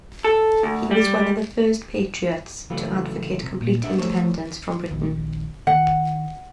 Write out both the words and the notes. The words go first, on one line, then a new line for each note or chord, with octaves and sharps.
He was one of the first Patriots to advocate complete independence from Britain.
A4
D2
G3
C#3 E3 F#3 A3 F4 B4
C3
A#2
B3 D4 E5
F3 A3 C5 C#5
A#1 D#3
D#3 F#5